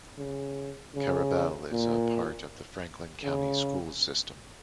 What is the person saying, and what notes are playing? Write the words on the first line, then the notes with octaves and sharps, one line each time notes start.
Carrabelle is a part of the Franklin County Schools system.
C#3
C#3
A#2
C#3